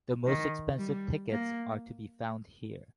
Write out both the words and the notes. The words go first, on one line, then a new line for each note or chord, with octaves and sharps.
The most expensive tickets are to be found here.
D#3
G3
A#3